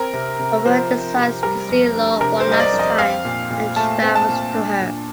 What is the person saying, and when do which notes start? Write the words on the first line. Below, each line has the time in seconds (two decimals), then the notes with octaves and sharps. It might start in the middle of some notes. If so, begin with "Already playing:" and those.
Robert decides to see Lore one last time and travels to her.
Already playing: C4 A#4
0.13 C3
0.40 C3
0.66 F3 C5
0.91 C4
1.17 C3
1.43 G3 A#4
1.69 F2
1.95 D4
2.21 C3 A#4
2.40 C5
2.47 G3 D#5
2.60 D5
2.73 F2
2.79 D#5
2.98 C4 F5
3.25 A#2
3.50 A#2
3.76 A3 A5
4.02 C4
4.15 A5
4.29 A#2
4.54 D4
4.80 A#2